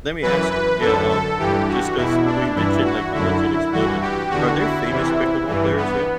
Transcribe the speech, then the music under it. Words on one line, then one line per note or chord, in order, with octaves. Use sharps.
let me ask you yeah, um, just 'cause we mentioned, like, how much it exploded. Are there famous pickleball players yet?
F#2 E3 B4
B4
F#2 D3 A4
A4
G2 E3 G4
F#4
E2 B2 E4
D4
G2 E3 E4
F#4
F#2 D3 E4
G2 E3 F#4
G4
E2 D3 F#4
E4
E2 C3 E3
G2 E3
B3